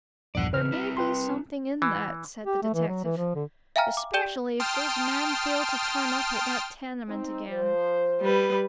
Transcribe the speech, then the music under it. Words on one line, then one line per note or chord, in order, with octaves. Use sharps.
"There may be something in that," said the detective. "Especially if those men fail to turn up at that tenement again."
A#1 E2 G2 D5 F#5
C#3 E3 B4 F6
C4 E4
B4 G5 C6
E3
G4
A3
E3
F#3
E3
F3
D3
E5 F5 G5 G#5 A#5 F6
D6
G4 D5 G5 G6 E7 G7
G5 A5 C6 D#6 F6
C4 D#4
F3 C5
G3 B4